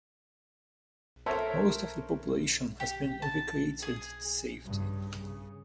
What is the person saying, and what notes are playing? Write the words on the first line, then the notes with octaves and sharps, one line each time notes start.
Most of the population has been evacuated to safety.
A4 A#4 C5 C#5 E5
G4
A5
G#4
G2 C#3
C#3